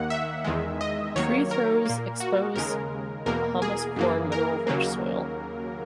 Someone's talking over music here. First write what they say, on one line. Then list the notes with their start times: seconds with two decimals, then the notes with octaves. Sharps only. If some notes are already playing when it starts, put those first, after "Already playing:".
Tree throws expose humus-poor, mineral-rich soil.
Already playing: D#2 D#3 A#3 F#5
0.10 E5
0.44 E2 D#3 G#3
0.81 D#5
1.16 D#2 D#3 F#3 A#3 C#5
1.51 A#4
1.85 A#2 A#3
2.20 F#4
2.56 D#2 C#3 G#3 A#4
3.26 E2 B2 A#3 A#4
3.62 G#4
3.96 F#2 E3 A#3
4.32 A#4
4.67 D#2 C#3 F#3 A#3